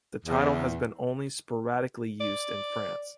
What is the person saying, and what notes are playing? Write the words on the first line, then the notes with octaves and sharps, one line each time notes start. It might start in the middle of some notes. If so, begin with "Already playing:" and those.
The title has been only sporadically used in France.
E2
D5